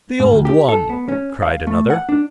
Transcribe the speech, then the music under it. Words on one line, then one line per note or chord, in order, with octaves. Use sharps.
"The old one," cried another.
G#2
D2
G4
A4
B3
C#4
F5
A3
F#5
D4